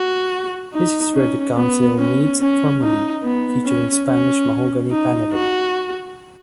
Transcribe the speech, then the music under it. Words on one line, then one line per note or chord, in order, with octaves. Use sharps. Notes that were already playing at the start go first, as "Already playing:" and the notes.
This is where the Council meets formally, featuring Spanish mahogany panelling.
Already playing: F#4
D#4
C#4
B3
C#4
C#4
D#4
B3
C#4
C#4
D#4
F#4